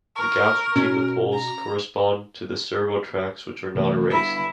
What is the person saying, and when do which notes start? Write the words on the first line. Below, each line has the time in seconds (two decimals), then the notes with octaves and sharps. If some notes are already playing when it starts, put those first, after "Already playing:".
The gaps between the poles correspond to the servo tracks, which are not erased.
0.16 A#4 C#6
0.76 B2 C#4
1.32 A#5
3.75 C3 E3 A3
4.09 D3 G3 E4